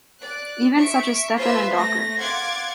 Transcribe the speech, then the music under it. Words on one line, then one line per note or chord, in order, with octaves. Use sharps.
Even such as Stepan and Docker.
D5 F#6
E5 C#6 D7
F4 B4 C5 E5 C6 E6
A3 A#6
F5 F#5 C6 D6 G#6 A6